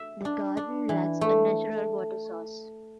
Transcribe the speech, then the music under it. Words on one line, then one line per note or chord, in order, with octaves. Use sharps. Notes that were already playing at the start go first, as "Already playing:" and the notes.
The garden lacks a natural water source.
Already playing: E5
D4
D4
E3
A3